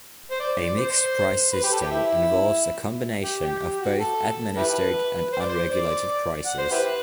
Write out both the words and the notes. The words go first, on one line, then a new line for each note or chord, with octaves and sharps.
A mixed price system involves a combination of both administered and unregulated prices.
C5
D5
D5
C5
B4
G4
A4
G4
E4
G4
G4
F#4
A4
E4 G4 B4
C5
D5
C5
D5
F#5
C5
E4 G4 B4